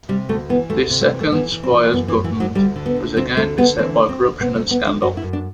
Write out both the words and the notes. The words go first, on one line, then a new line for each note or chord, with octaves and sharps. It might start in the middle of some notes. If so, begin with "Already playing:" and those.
This second Squires government was again beset by corruption and scandal.
C3 G3
D2 A3
E3 B3
D2 A3
C3
A3
E3
A3
E3 B3
E3
C4
E3
F#2 B3
E3
F#2
E3
F#2
F#3
D2 G3
D3
B3
D2
D2 C4
D3 A3
D3 B3
E3 C4
D2
C4
D2
C3 B3
A3
D2
B3
D2
D4
F#2 F#4
E4
F#2
D4